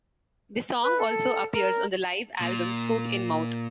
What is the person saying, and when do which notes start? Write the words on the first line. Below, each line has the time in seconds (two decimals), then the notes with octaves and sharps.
The song also appears on the live album "Foot in Mouth".
0.84 B4
0.98 A4
1.54 A#4
2.41 A#2